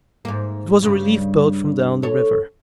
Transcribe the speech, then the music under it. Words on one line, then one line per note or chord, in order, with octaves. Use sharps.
It was a relief-boat from down the river.
G#2 A#3
G2 C#3
A4 C#5